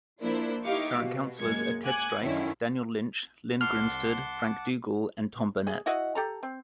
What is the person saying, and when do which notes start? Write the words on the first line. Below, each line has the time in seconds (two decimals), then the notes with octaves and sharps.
Current councillors are Ted Strike, Daniel Lynch, Lynn Grinstead, Frank Dugal and Tom Burnette.
0.20 F3 A#3 D4 E4 C5
0.64 D#4 E4 G4 F5 C#6 D6
0.98 B2
1.39 F#2 G#3 A#3 G#6 C#7
1.85 F#5 G#5 D6 F#6 G#6
2.21 F#2 A2 D3 D#3 C#4 E4
3.61 C2 F#5 A5 C6 D6 F6
5.67 G#4
5.86 E4 F#4 D#5 F#5
6.15 G4 A4 A#5
6.43 C4